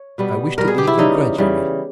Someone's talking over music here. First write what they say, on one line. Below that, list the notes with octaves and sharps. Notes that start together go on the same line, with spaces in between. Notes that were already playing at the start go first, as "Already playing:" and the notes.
I wish to lead you gradually.
Already playing: C#5
B2 G3 B3
B2 G3 B3 A#4
G#4
G4
E4
C#3 E3 G3 D#4
C#3 E3 G3